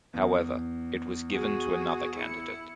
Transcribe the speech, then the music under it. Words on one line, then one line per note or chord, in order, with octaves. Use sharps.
However it was given to another candidate.
E2
F#4 G#4
E4 C#7